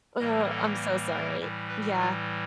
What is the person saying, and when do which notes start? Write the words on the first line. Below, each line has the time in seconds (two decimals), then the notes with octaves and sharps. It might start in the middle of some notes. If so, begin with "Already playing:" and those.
Oh, I'm so sorry. Yeah.
0.19 A2 E3 G3 A#3 D#5
0.50 A4
1.09 A#4
1.39 A2 E3 G3
1.68 B4
1.99 F4